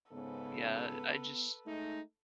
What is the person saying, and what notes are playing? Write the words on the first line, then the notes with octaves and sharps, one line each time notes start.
Yeah, I just
G#2 C#3 B3 A4 B4
G#3 A3 D#4